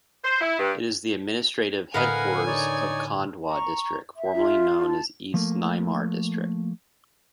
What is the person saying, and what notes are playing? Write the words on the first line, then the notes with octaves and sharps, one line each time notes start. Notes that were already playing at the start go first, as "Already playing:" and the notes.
It is the administrative headquarters of Khandwa District, formerly known as East Nimar District.
C5
E4
G2
A2 D3 A#4 B4 D#5 F5 F#5 G#5
D#4 C#5 D5
A#5 C#6
E5
F4
A5
F3 A3 A#3